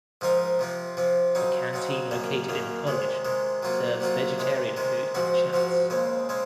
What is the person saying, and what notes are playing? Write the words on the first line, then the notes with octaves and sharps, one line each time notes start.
The canteen located in the college serves vegetarian food and chats.
G#2 F3 C4 D#4 A#4
C3 F3 C4
C3 F3 C4
C#3 F#3 C4 D#4
C#3 F#3 C4 D#4
F#2 D#3 A#3
F#2 D#3 A#3
C3 D#3 G#3
C3 D#3 G#3
C3 F#3 A#3 F4
C3 F#3 A#3 F4
C3 D#3 G#3
C3 D#3 G#3
G#2 F3 C4 F#4
G#2 F3 C4 F#4
D#2 C#3 G#3 C4
C#3 G#3 C4